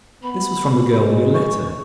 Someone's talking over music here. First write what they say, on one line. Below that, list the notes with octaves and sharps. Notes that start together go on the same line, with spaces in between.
This was from the girl Yoletta.
B3 B5
G#3
C#6